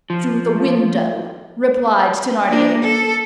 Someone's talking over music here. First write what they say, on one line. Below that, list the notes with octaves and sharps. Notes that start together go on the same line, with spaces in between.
"Through the window," replied Thenardier.
F3
A#3 D4
A4